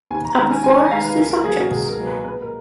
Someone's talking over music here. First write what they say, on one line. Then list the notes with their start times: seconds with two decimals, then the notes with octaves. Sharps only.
Upper floor has two sections.
0.10 D#2 G#5
0.25 A#5
0.37 D#3 G#3 A#5
0.51 G#5
0.64 D#2 G#5
0.78 G#5
0.91 D#3 G#3 F5
1.04 B4
1.18 C#2 A#4
1.31 A#4
1.44 B2 F#3 A#3 G#4
1.58 F#4
1.71 C#2 G#4
1.88 A#4
1.98 B2 F#3 A#3
2.07 B4
2.24 A#2 B4
2.42 A#4